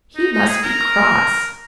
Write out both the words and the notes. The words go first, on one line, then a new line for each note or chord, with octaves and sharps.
"He must be cross."
D#4
D#4
G#4
A#4